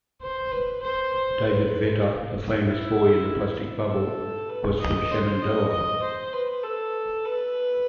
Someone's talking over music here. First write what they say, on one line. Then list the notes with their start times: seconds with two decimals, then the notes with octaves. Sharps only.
David Vetter, the famous "boy in the plastic bubble", was from Shenandoah.
0.21 C5
0.51 B4
0.82 C5
1.13 C5
1.44 B4
2.66 E4
3.88 A4
4.49 B4
4.80 D#5
5.11 C5
5.42 D#5
5.72 D#5
6.02 C5
6.33 B4
6.64 A4
7.25 B4